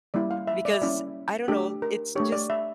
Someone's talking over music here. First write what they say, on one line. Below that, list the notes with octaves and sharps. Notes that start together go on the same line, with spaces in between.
Because I don't know, it's just
G3 A#3 C#4 E4 D5
F5
E5
D5
E5
G3 A#3 C#4 E4 D5
A3 D4 G4
A#4
A3 D4 G4 C#5
D5
E5